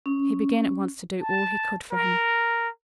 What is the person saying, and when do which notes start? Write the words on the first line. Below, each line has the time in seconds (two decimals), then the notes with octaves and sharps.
He began at once to do all he could for him.
0.06 C#4
1.22 A5
1.91 A#4